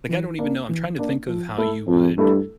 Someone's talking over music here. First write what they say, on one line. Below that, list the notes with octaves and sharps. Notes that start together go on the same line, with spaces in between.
Like, I don't even know. I'm trying to think of how you would
E3
A#3 D4
E3
A#3 D4
F3
A3 E4 A4
F2 F3
G2 A3 E4 A4